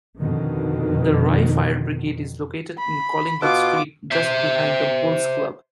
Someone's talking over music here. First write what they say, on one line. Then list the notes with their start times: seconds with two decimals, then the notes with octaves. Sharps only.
The Rye Fire Brigade is located in Collingwood Street, just behind the Bowls Club.
0.19 F2 B2 D3 D#3
2.78 B5
3.42 B2 F4 D6
4.11 C5 E5